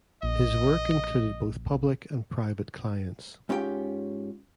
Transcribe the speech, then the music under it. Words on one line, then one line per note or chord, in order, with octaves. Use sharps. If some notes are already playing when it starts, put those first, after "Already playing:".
His work included both public and private clients.
A#1 D#5
G#2 C#4 F4 G4 A4 G5